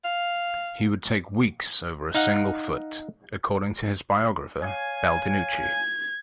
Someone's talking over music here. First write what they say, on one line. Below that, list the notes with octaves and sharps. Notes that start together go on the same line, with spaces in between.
"He would take weeks over a single foot", according to his biographer Baldinucci.
F5
D#4 F5 F#5
C#5 F5 G#5
G#6